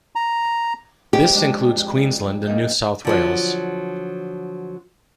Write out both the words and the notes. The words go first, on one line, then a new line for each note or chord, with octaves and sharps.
This includes Queensland and New South Wales.
A#5
F2 G4
G#3 D4
A#2 D#4 G6
D3 F3 F#3